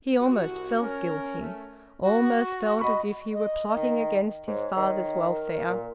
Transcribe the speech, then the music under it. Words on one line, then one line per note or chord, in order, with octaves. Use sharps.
He almost felt guilty, almost felt as if he were plotting against his father's welfare.
C2 F#4
C#4 A#4
A3 C#4
F#4
D#5 B5 C#6
D#5
D#3
G#2 C#5
D#3
A#4
A#2